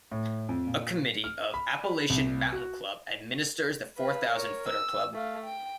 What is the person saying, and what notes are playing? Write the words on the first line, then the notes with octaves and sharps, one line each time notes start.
A committee of Appalachian Mountain Club administers the Four Thousand Footer Club.
A2
F2
A#2
F6
B5
C2
F#4
B4 F5
A#4 C#5
E6
A3 F5
G5